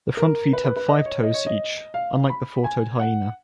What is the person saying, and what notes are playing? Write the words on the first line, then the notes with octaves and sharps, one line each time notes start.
The front feet have five toes each, unlike the four-toed hyena.
A#4
B4
B4
B4
D#5
C#5
D#5
C#5
D#5
F5
B5
G#5
F#5